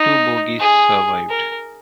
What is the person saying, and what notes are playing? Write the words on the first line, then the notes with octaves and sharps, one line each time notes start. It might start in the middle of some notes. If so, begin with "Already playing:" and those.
Two bogies survived.
Already playing: D#4
G#4
A#4